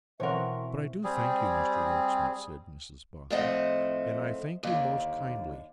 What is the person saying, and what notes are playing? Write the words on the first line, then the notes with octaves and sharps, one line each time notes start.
'But I do thank you, Mr Rokesmith,' said Mrs Boffin, 'and I thank you most kindly.
B2 E3 C4 A#4 C5 C#5 E5 F#5
G3 C4 G#4
A2 F3 A3 C4 D#5 F#5
D#2 D3